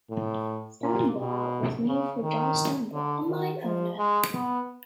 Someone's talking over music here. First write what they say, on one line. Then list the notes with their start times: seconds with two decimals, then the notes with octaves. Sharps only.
Stambaugh was named for John Stambaugh, a mine owner.
0.10 A2
0.82 A#2
1.16 B2
1.86 C#3
2.22 D#3
2.92 D3
3.27 D#3
3.63 F3
3.98 G#3
4.34 B3